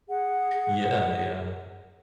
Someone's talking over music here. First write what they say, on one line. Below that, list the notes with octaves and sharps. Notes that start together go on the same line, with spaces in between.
Yeah, yeah.
G#4 F#5